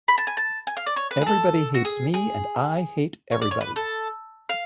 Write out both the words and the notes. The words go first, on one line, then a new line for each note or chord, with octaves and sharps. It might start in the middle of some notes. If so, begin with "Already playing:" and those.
Everybody hates me, and I hate everybody!
B5
A5
G#5
A5
G#5
F5
D5
C#5
B4
G#4
A4
F#4
G#4
G#4
C#5
D5
C#5
B4
A4
F5